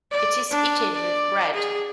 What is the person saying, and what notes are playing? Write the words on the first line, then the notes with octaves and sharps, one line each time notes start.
It is eaten with bread.
D5
D4
D5
G#4